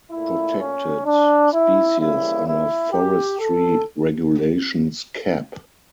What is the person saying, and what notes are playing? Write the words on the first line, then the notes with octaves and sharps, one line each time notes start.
Protected Species under Forestry Regulations Cap.
A#2 A3 E4
C#4
D4
E4
C#3 E3 G3 A#3 E4
E4
G4
A4